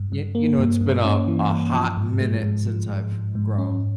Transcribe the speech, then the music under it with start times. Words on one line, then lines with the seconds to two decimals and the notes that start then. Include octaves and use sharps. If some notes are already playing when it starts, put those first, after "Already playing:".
Ye you know, it's been a a hot minute since I've grown
Already playing: G2
0.12 G2
0.35 A#3
0.59 G2
0.81 G2
1.05 C#4
1.28 E3
1.50 G2
1.74 F3
1.97 G#2
2.21 G#3
2.43 G#2
2.67 F3
2.89 G#2
3.12 G#2
3.35 G#2
3.58 C#4